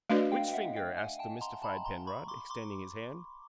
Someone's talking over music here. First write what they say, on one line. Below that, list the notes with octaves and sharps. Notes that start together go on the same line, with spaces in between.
"Which finger?" asked the mystified Penrod, extending his hand.
A3 D4 F#4 B4 D5 D#5 F5
F5 G5
G5
E5 F#5
F5 G5
F#5 G#5
G5 A5
A#5 C6
A5 B5
A#5 C6
B5 C#6
C6 D6
C6 D6